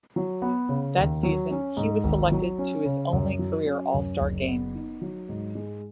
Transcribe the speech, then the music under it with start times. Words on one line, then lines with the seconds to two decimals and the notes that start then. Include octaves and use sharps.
That season, he was selected to his only career All-Star Game.
0.16 F#3
0.42 B3
0.69 C#3
0.97 D#2
1.23 F#3
1.51 C#4
1.77 G#2
2.04 G#1
2.32 F#3
2.59 C#4
2.86 C#3
3.13 F#2
3.39 F#3
3.66 C#4
3.94 F#2
4.21 F#1
4.48 B3
4.74 D#4
5.01 F#3
5.29 G#2
5.55 G#3